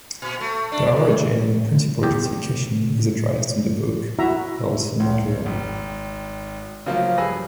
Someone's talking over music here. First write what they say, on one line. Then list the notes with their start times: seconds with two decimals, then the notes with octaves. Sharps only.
Their origin and principal classification is addressed in the book "Il Silmarillion".
0.22 A#2
0.41 A3
0.72 D4
0.96 E2
2.03 E2 G4
4.19 E4 F#4 E5 A#5
5.00 C#2
5.46 G#1
6.86 C#3 F3 F#3 A#3 C#4 F4
7.18 G2 G#4 B4 G#5 E6 A#6